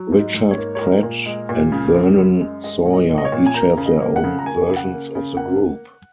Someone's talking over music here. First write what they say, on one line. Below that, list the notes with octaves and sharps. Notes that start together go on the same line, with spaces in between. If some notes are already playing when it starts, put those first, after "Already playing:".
Richard Pratt and Vernon Sawyer each have their own versions of the group.
Already playing: F#3
G#2
D#4
G#2
C#5
A#3
C#5
G#3 A#4
A#2
G#3
A#2
C#3
F#2
F#2
G#3
G#3 D#5
A#2
D#5
G#3
D#5
C#5
A#2
G#5
A#3 A#5
C#3
D#5
A#3
F#5
C#3
A#5
A#3 G#5
C#3
F#5
A#3
C#3
A#3 F#5